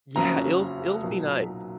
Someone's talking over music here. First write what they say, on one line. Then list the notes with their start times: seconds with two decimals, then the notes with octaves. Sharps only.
Yeah, it'll it'll be nice.
0.16 F#1 F2 C#3 F#3 C#4 A#5
1.03 B1 A#2 F#3